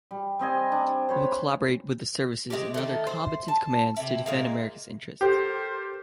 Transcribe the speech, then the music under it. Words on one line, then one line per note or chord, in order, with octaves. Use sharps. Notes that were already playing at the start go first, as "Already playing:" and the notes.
We will collaborate with the Services and other Combatant Commands to defend America's interests.
G3
G3 C4 D#5 G#5
D4
C5 C#5 B5
G#3 A3 C4 G4
D#3 A3
C5
A5
C3 E4
A#2 G#3 A#3
G4 A4 A#4 C5